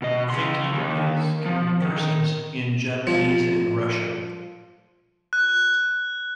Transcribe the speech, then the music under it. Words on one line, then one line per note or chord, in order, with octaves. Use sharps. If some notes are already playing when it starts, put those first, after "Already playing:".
Fincke is conversant in Japanese and Russian.
B2 D#5
C#3 C6
D#2
F3
D#3
F3
F#6